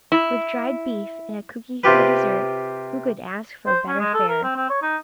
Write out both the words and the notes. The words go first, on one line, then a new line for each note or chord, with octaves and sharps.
With dried beef, and a cookie for dessert, who could ask for better fare?
E4
C3 F4 G4 B4
C5
C#4
G#3
A4
A#4
C4
C4
C#5
D#4